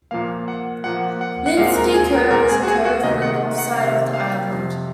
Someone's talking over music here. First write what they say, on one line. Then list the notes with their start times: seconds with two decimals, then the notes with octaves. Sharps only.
Lynsky Cove is a cove in the north side of the island.
0.11 A#2 F3 A#3 F5
0.48 F#5
0.84 A#2 F3 A#3 F#5
1.21 F#5
1.46 F#5
1.57 A#2 G#3 C4 F5
1.76 A#4
1.94 G#4
2.13 A#4
2.30 A#2 G#3 C4 A#4
2.49 G#4
2.63 F#4
2.68 G#4
2.85 F#4
3.03 C3 D#3 A#3 D#5
3.22 F#5
3.58 F#5
3.76 C3 D#3 A#3 F5
4.13 F5
4.50 F2 C3 F3